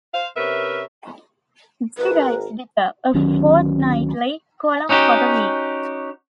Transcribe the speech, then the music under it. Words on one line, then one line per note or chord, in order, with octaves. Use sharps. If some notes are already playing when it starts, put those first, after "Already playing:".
De writes Detour, a fortnightly column for The Week.
C5 F5
C3 C#4 A#4 B4 E5
G#1 G#2 A#4 B4
D2 D#3 F#3 C#4
C#4 D#4 F#4 G4